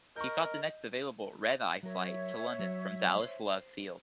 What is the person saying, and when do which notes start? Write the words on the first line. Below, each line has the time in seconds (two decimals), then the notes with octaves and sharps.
He caught the next available "red eye" flight to London from Dallas Love Field.
0.16 A#4 D#5 C#6 F6 G6
1.83 F#3 A#4 C#5 E5
2.59 F#3
3.20 C5